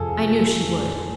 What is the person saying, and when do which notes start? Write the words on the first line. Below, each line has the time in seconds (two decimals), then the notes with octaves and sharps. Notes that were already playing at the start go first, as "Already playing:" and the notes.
I knew she would.
Already playing: F2 C3 F3 G#4 A4